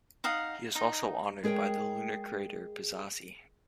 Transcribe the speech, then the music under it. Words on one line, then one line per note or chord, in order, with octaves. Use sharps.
He is also honoured by the lunar crater "Piazzi".
D#4 F5 F#5 D#6
D#4
G#3 G#4 A#4 C#5 G5